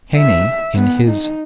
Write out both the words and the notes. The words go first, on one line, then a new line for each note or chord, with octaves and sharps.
Heine in his.
E5
B3
D#4